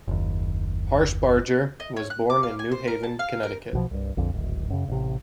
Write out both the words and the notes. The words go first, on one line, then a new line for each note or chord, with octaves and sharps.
Harshbarger was born in New Haven, Connecticut.
F#1 D#2
D#5
C#5
F#6
D6
F5
G#5
C5
A#4
A5
F5
A#4
B1 B2 F3
C2 G2
A#1 F2 D3
D1 G#1
F#2 C#3
A1 C3